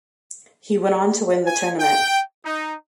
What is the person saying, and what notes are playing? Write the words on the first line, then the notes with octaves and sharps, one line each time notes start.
He went on to win the tournament.
G#5
G5
D#4